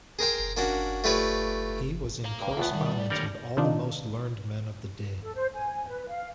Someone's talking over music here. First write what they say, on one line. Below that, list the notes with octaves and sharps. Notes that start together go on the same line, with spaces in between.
He was in correspondence with all the most learned men of the day.
G#4 A#4 C5 G5
A#3 C#4 D4 F#4
A3 F4 G4 B4 C#5 D5
F5 A#5
G2
E2 A2 B3 F4
D#3 G3
D5
D#2 D3 G3 A#4 C#5
C3 D#3 D4 D#4 F4
A4
C5
G#5
B4
F5